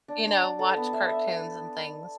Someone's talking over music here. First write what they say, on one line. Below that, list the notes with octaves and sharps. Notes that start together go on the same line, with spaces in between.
you know, watch cartoons and things,
D4
D4
D4
A4
B3
E5
E5